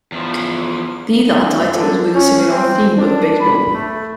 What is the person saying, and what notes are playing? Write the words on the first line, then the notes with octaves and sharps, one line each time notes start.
These are titles with a similar theme of baseball.
E2 F3
F#2
D3
C#4
C4
D4
B5
A3